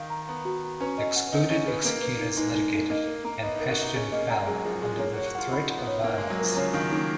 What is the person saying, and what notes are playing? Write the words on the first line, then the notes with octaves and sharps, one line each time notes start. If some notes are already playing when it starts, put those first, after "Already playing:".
The excluded executors litigated, and Paston fell under the threat of violence.
Already playing: D#3 F5
A#5
B3 A#5
F#4
A#5
C#4 B4
D#5
F#5
D#4 D#5
C#4 D#5
B3 B4
A#3 B4
B4
D#4
G#3 D#4
D#4
D#4
A#3 D#5
A#4
A#3 A#5
B3 D#5
D#4 A#4
F#4
D#4 D#5
C#4 G#4
A#3 D#5
G#3 A#5
F#3 G#4
F3 G#4
G#3 G#4
A#3 C#5
F#4 C#5
F#4
F4 F#5
D#4 B5
F#5
B3
C#5
A#3 C#5
G#3 F5
F#3
F3 A#4
C#3 C#5
D#3 F5
A#3 D#4